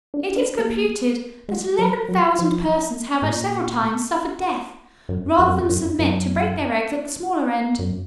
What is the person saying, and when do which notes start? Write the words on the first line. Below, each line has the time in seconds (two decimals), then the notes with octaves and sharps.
It is computed that eleven thousand persons have at several times suffered death, rather than submit to break their eggs at the smaller end.
0.14 D4
0.36 D4
0.59 A#3
1.49 G#3
1.79 F#3
2.08 F#3
2.39 F3
3.22 G#2
3.28 A#2
5.09 F#2
5.39 F2
5.47 F#2
5.55 F2
5.69 F#2
5.99 F#2
7.79 F#2